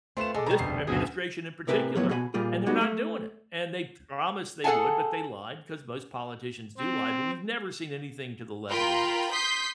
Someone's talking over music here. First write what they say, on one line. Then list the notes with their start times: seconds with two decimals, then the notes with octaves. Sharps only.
this administration in particular, and they're not doing it, and they promised they would, but they lied, 'cause most politicians do lie, but we've never seen anything to the level of this.
0.17 A3 C4 F4 B4 E7
0.35 G#3 A4 D6
0.46 B2 G3 A#5
0.59 F1 D2 C7
0.87 F#1 D2 B2 G#4
1.67 A2 C3 A#4 B4 G5 G#5
1.95 A2 F3 F#3 B3 C#5
2.09 B2 F#4 G#4 D#5 G#5 B5
2.34 A#2 G3 A#3 F4 G#4
2.66 G3 B3 D#4 F#4
2.81 A3
4.64 G#4 A4 D#5 F#5 G#5 A5
6.78 C4
8.70 F4 A#4 G5 B5
9.32 C6 D#6 G6 B6 C7